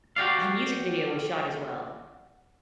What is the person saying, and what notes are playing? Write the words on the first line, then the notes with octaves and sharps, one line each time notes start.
A music video was shot as well.
F#4 G4 D5 F5